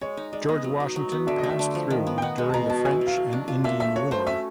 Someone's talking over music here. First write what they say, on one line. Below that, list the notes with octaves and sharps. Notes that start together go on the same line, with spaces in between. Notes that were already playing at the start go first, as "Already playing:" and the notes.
George Washington passed through during the French and Indian War.
G#3 C#5
D#4
G#3 D5
B3 D#5
F#3
D#4
F#3
B3
D3 E5
D#5
A3
E5
D3
F3
D#3
B3
G5
D#4 F#5
G#3
A5
B2 A#5
B3 A5
E4 G#5
F#3
F5
F#3
D4
F4
A#3 E5
A3 E5
F#4 C#5
A3 C5
C#4 E5